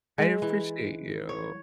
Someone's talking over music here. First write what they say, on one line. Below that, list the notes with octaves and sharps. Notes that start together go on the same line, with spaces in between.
I appreciate you.
G#3
E3
C#5